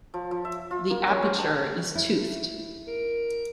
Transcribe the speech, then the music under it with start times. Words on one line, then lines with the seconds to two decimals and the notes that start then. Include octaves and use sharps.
The aperture is toothed.
0.14 F3
0.31 F3
0.45 E5
0.71 F4
0.90 A#3
1.07 C#4
1.22 C5
1.38 D4
1.95 E4
2.88 A#4